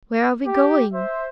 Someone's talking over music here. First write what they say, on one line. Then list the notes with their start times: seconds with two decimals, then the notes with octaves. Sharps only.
"Where are we going?"
0.46 G4
0.94 C5 E5